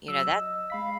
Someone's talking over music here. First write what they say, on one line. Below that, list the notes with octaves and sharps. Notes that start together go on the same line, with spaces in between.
You know, that
F#3 E6
D#5
G#3 F5 B5 B6